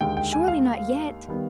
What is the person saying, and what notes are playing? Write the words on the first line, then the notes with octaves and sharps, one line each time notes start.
Surely not yet!
D#2 D3 G#3 G5
G5
G#5
F5
D#3 G3 B3